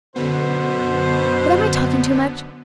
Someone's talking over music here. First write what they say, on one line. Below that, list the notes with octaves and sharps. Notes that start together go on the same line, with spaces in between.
But am I talking too much?
F#2 B2 D3 B3 C5